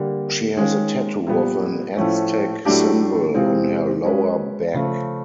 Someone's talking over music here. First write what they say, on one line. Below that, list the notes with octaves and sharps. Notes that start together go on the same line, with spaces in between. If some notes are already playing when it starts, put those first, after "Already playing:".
She has a tattoo of an Aztec symbol on her lower back.
Already playing: D3 G3 A#3
D#3 G#3 C#4 F4
A#2 G3 B3
A2 F3 A3 C#4
A2 F#3 A3 D4 G4
C3 E3 G#3 C4 F4
G#3 C#4 F#4 B4
C#3 F3 A3